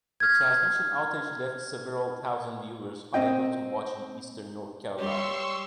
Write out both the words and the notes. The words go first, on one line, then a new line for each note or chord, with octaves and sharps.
The transmission outage left several thousand viewers unable to watch in Eastern North Carolina.
F6 G#6
C4 D#5 G5
G3 G4 C#5 C6 C#6 E6